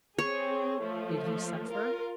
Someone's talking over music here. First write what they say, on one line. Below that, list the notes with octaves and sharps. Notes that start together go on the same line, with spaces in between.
Did he suffer?
C4 G#4 C#5
F3 A3
F4 A#4